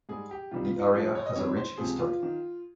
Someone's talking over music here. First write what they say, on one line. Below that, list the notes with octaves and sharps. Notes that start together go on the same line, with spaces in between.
The area has a rich history.
G#2 G3 G#4
G4
C2 C3 D#3 G3 F4
F4
D#4
G2 F3 F4
G#4
C#5
D#5
F2 D#3 G3 C#5
C5
C#2 C3 F3 G#4
F4
D#3